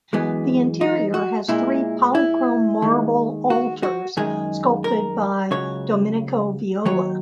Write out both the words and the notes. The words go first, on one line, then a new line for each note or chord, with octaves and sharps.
The interior has three polychrome marble altars sculpted by Domenico Viola.
F#2 E3 G#3 B3
D#4
F#4
A#2 G#3 E4
E4
D#2 D#3 G#3
F#4
F#4
F#2 D#3 G#3 G#4
A#4
C#2 C#3 F#3 C#5
D#2 D#3 F#3 C#5